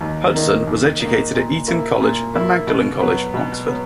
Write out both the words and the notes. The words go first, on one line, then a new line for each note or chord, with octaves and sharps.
Hudson was educated at Eton College and Magdalen College, Oxford.
D#2
D#3 A#3 D#4
D#2
D#3 A#3 D#4
A#2
A#3 E4
A#2
A#3 E4
B2
F#3 B3
B2
F#3 B3